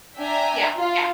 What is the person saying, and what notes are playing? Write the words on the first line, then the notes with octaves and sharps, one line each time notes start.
Yeah, yeah.
D4 E5 G5 G#5 A#5
F4